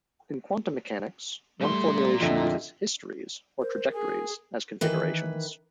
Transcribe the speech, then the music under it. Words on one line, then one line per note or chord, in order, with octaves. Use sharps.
In quantum mechanics one formulation uses "histories", or trajectories, as configurations.
A#2 G3 A3 C6
F2 D3 F4 D#5 E5
A#4 C5
G#4 G#5
D#3 E3 B4